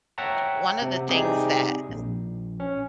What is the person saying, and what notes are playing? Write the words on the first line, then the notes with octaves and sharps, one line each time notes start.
one of the things that n
C#5 E5 F#5 G5 A5 A#5
C3
C3 G3 D#4 G4 G#4
A#1
C#4